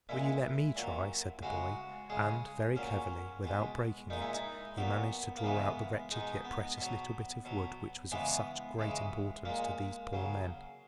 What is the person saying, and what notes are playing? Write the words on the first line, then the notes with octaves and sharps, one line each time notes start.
"Will you let me try?" said the boy, and very cleverly, without breaking it, he managed to draw out the wretched yet precious little bit of wood which was of such great importance to these poor men.
A#2 G#3 E4
A#2 F#3
C#3 G#3 F#4
C#3 G#3 G#4
A#2 F#3 C#4
B2 G#3
A#2 G#3 D#4
E4
D#4
A#2 F#3 B3
A#3
C#3 E3 G#3 B3
B2 G#3 D#4
B3
B2 F#3
B2 F#3
C#3 E3 G#3 B3
C#3 E3 G#3
A#2 G#3 A#3
C#3 F#3